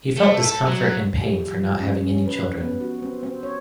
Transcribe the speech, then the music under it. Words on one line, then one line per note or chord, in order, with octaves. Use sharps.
He felt discomfort and pain for not having any children.
A3
A4
F#3
G4
F3
C#4
C#4
B4
B3
F#4
C4
C4
C#5